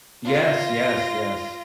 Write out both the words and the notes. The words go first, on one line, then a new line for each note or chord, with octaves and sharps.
Yes, yes, yes.
F4 A#6